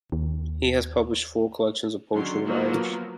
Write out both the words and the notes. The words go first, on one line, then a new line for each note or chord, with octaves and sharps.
He has published four collections of poetry in Irish.
D#2
D3 D#3 F#3 C#4 C6
F3 F#3 A#3 B3